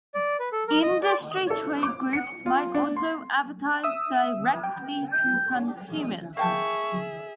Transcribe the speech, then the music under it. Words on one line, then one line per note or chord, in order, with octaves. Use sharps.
Industry trade groups might also advertise directly to consumers.
D5
B4
A4
A#4
D#5
D5
A4
D6
C#7
F4
D4
C6
E5 D#6 E6
G5
G6
A#3 G#4 E5 G5 A5 C#6